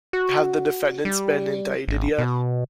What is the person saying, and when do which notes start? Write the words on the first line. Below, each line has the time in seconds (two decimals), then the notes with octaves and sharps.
Have the defendants been indicted yet?
0.13 F#4
1.05 G3
1.88 G#1
2.18 B2